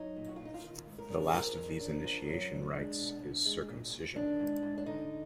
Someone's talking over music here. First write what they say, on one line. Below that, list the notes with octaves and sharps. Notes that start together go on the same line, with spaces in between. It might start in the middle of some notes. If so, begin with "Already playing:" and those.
The last of these initiation rites is circumcision.
Already playing: F#3 D#4
A#2
F#4
A#2 F4
D#4
F4
D#3
G#2
A#4
D4
G#4
F3 A#4
F2
D4
F3
F#2
D4
G#3 D4
B2
D4
G#3
A#2
A#2
D#3 D4
G#2
G#2
D4
D3 D#4